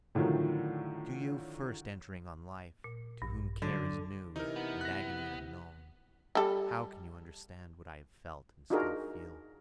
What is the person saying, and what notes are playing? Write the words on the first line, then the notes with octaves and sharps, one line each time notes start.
To you first entering on life, to whom care is new and agony unknown, how can you understand what I have felt and still feel?
A2 D3 D#3 F3 F#3
A#2
A#1 G2
D3 F#3
C3 E3 D#4 A#4
B3
F#6 A#6
G3 A4
D4 D#4 F4 F#4 G#4 A#4